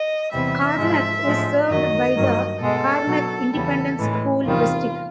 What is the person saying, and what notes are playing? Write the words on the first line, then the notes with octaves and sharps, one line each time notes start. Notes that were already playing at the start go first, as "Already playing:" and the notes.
Karnack is served by the Karnack Independent School District.
Already playing: D#5
E2 C3 E3 G3 E5
G#2 F3 G#3
A2 F3 G#3
F#2 D#3 F#3 D#5
G2 D#3 F#3
B2 G#3 A4
B2 F#3
E2 C#3 E3 G3 A4
A2 E3 G#3
E2 C3 D#3 G3 F4